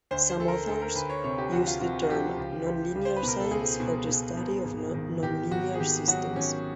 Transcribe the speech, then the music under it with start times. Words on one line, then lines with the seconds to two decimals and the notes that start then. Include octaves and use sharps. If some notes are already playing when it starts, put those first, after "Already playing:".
Some authors use the term nonlinear science for the study of nonlinear systems.
0.11 D2 C5
0.30 C5
0.39 D2 A4
0.48 A#4
0.67 D2 A4
0.82 A#4
0.95 D2 B4
1.10 C#5
1.24 C3 C#5
1.38 G4
1.52 D2 F#4
1.67 F4
1.81 C3 F#4
2.02 F#4
2.09 F3 G4
2.37 C#2
2.66 C#2
2.95 C#2
3.05 C5
3.16 B4
3.23 B2 A#4
3.40 A4
3.51 C#2 G#4
3.80 B2
4.09 B2
4.37 B2
4.65 G#1
4.94 D#3
5.23 D#3 G4
5.51 G#1 F#4
5.74 G#4
5.80 D#3 G4
6.08 F#3 F#4
6.36 D#3 C#4